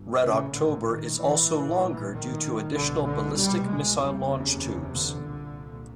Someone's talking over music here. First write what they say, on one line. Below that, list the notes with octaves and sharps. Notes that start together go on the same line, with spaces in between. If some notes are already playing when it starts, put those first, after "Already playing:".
"Red October" is also longer due to additional ballistic missile launch tubes.
Already playing: G1
A#1 A2 C#3
D3
D#3
E3
A#1 A2
D#3
C2 B2 D3
D3
G3
G#3
F#1 E2 C3 G3
C#3
D3
C2 A#2